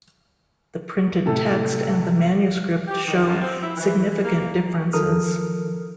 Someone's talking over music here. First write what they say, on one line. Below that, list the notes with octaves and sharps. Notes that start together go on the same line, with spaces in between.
The printed text and the manuscript show significant differences.
A2 C3 A4
G4
D#3
F#2
C4
E4
E3
E3
A#3
D#3 F3 A4 A#4 D#6 F6